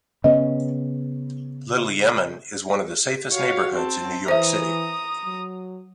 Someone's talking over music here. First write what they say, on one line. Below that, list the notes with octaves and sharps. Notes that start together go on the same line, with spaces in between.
Little Yemen is one of the safest neighborhoods in New York City.
C#3 B3 C#4 D#5
F#4 C#5 F5
C4 A5
E3 C5 E5 A#5 D#6
F#3